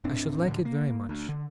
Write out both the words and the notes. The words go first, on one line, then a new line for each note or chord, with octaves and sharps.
'I should like it very much.
D#1 A2 C4 D4
D2 A2 D3 E3
A#3
D2
D3